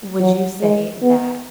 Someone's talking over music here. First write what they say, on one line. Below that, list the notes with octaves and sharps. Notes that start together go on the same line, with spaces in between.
would you say that
F#3
G#3
B3